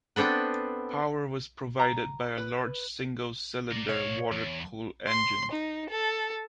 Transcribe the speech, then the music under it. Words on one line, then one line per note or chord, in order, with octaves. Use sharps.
Power was provided by a large single-cylinder water-cooled engine.
B3 C4 D4 A4 B4
A#5
B4
A#4 D5
B2 C#5 F5
E2
C6
D#4
A4